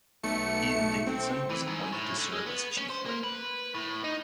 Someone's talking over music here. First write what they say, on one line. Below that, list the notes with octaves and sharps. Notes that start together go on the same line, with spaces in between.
Ian Davidson was appointed to serve as chief whip.
B1 A3 C#7
C4
E3
G#2
A2
D3
G#3
B3
C#4
C5
A#3
B4
A2
D#4